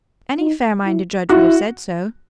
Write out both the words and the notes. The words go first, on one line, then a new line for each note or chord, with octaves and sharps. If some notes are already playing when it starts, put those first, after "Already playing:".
Any fair-minded judge would have said so.
D#4
E4
E4 F#4